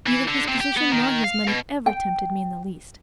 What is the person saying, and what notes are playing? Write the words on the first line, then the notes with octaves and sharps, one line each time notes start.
Neither his position nor his money ever tempted me in the least.
E3
D3
C3
G4
B3
D#3
F5
B2
G5